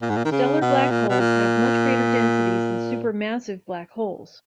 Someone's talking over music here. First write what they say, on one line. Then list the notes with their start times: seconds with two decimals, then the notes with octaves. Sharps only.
Stellar black holes have much greater densities than supermassive black holes.
0.02 A#2
0.10 G#2
0.17 A#2
0.25 D#3
0.32 C#3
0.61 B2
0.90 A#2
1.09 B2
1.19 A#2